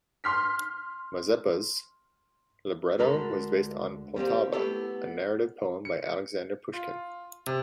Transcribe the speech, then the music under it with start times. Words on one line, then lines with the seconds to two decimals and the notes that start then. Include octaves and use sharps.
"Mazeppa"'s libretto was based on "Poltava", a narrative poem by Alexander Pushkin.
0.24 C6 F6 B6
2.99 D2 D3 G#3 A4 A#4 B5
4.16 G3 A#3 C4 G4
4.53 A3 B3 E4 G4 A4
5.85 C#7
6.73 F4
7.47 C3